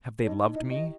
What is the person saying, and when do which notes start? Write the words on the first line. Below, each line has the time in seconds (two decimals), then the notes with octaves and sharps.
Have they loved me?
0.22 C#5
0.27 D#4 D#5
0.41 D#5
0.55 E4 D#5
0.70 G4 D#5